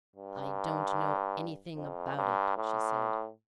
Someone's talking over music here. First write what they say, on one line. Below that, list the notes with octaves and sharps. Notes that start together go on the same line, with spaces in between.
"I don't know anything about it," she said.
G2
F2
G2
A2